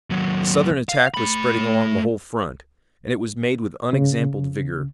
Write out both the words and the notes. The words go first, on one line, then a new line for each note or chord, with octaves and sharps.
The Southern attack was spreading along the whole front, and it was made with unexampled vigor.
D#2 F#3
F5
A3 B5
C#3